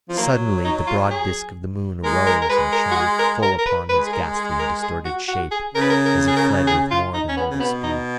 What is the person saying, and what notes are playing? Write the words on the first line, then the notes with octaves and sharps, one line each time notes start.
Suddenly the broad disk of the moon arose and shone full upon his ghastly and distorted shape as he fled with more than mortal speed.
F3
F#3 A#3
D#4
F4
G#4
G#3 A#4
A#4
A#4
G#3 B4
A#4
F#4
G#4
A#4
A#4
A#4
B4
G#3 B4
G#4
A#4
G#4
A#4
G#4
F#4
F#4
G#4
C#3 A#4
B4
A#4
A#4
G#4
A#4
G#4
F4
D#4
C#4
B3
C#3
B2 B3
D#4